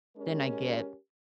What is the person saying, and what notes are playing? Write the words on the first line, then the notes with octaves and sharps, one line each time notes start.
then I get
G#3 C#4 G4 A#4